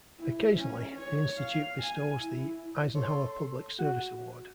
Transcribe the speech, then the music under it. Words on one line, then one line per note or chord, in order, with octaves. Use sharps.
Occasionally, the institute bestows the Eisenhower Public Service Award.
E4
C#4
C#5
F5
G#5
E4
A4 C#5 C6
F#4